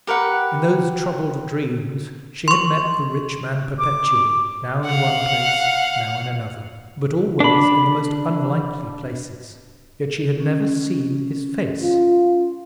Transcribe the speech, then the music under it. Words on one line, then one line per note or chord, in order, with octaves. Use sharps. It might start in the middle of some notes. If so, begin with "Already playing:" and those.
In those troubled dreams she had met the rich man perpetually: now in one place, now in another: but always in the most unlikely places: yet she had never seen his face.
G4 A#4 B4 F#5
C6 C#6
D6
F5 F#5
D4 B5
C#4
F4